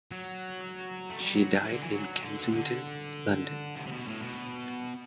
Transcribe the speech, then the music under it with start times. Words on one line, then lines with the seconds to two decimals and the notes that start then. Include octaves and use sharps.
She died in Kensington, London.
0.11 F#3
1.10 A3
1.21 G3
1.33 F#3
1.64 E3
1.73 D3
1.84 E3
1.94 F#3
2.24 D3
2.40 B2
2.47 C3
2.55 D3
3.76 C3
3.87 C3
3.92 B2
4.08 A2
4.22 B2